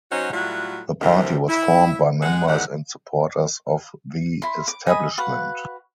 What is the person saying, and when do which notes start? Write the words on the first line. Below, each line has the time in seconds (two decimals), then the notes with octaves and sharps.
The party was formed by members and supporters of the establishment.
0.10 F#3 C#4 D#4 F#4 C5 F#5
0.31 A2 F#3 G3 A3 F4 F#4
1.00 D2 G2 C3 E3 C4 A#4
1.48 E4
2.22 G#3 F#5
2.47 E2 G#2 D#3 D5 F#5
4.42 E4 C6
4.68 D6
4.87 D#5 G#5 B5 D#6
5.18 F#4 B4 F5 F#5